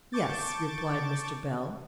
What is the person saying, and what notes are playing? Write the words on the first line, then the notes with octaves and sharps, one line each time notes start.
'Yes,' replied Mr. Bell.
A5 C#6 D6 G6 A6